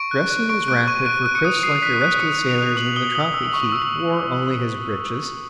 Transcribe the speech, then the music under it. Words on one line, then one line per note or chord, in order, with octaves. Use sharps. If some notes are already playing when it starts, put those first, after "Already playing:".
Dressing was rapid, for Chris, like the rest of the sailors in the tropic heat, wore only his breeches.
Already playing: C#6 D7
F#6
F#6
C#6 D7
F#6 D7
C#6 D#7
F#6 D7
F#6
C#7
D#6
D#6 C7
F#6 B6
F#6
D#6 C#7
F#6
F7
F#6
D#6 F#7
D#6 G7
D#6 F#7
E6
C#6
E6